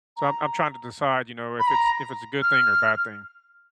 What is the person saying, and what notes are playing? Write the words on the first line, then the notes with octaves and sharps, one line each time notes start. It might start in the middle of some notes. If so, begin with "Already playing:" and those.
So, I'm I'm trying to decide, you know, if it's if it's a good thing, or a bad thing.
A#5
B5
A#5
F6